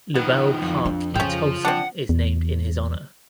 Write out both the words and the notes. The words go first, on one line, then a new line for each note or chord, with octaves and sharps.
Lubell Park in Tulsa is named in his honor.
D#3 F3 B3
F2
D4
C#3 F3 C#4 F4 G5
C4 D4 F#5
E2